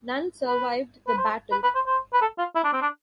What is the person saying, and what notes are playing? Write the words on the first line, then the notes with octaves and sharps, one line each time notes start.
None survived the battle.
B4
B4
C5
B4
B4
C5
C5
B4
A4
F4
E4
D4
C4
D4